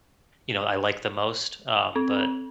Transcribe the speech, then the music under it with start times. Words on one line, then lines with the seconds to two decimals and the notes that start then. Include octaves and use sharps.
you know, I liked the most. Um, but
1.96 C4